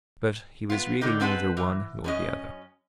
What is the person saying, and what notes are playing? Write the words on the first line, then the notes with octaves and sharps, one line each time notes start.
But he was really neither one nor the other.
B3 F4
D3 D#3 G3 D#4
G#2 C4 B4 F#5 A5
E3
F#2 C#4 D#5